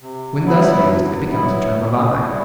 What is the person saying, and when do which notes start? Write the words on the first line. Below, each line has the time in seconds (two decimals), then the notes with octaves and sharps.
When thus used it becomes a term of eye.
0.02 C3
0.44 F#3 B3 E4
0.88 C3
1.31 F#3 B3 E4
1.73 A2
2.16 G3 B3 E4